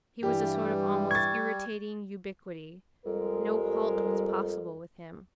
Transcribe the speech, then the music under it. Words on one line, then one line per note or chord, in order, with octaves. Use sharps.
He was a sort of almost irritating ubiquity; no halt was possible with him.
G2 E3 G3 G4
C#6 G#6 A6
F2 G3 G#3 A#4